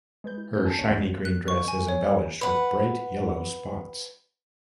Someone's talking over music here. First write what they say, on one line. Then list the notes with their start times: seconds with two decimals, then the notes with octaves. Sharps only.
Her shiny green dress is embellished with bright yellow spots.
0.24 G#3 B4 G6
0.38 E4
0.54 C#4 F#4 G6
0.65 G#5 A5 G6
0.78 C2 A#3 C#4 C#5 C#7 D#7
0.89 E2 G2 E3
1.25 F#6
1.48 C#6
1.68 G#5
1.88 C#5
2.41 B4 F#5